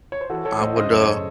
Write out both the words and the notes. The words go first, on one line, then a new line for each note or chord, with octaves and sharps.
I would, uh,
C#5
C5
E3 F#4 A4
E3 A4 C#5
A2 C5 D#5
C#3 C5 D#5
F#2
A4 C#5
C#3